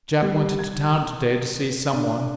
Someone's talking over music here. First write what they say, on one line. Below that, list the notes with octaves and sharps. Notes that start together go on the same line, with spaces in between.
Jack went to town today to see some one.
G3
G#6
D4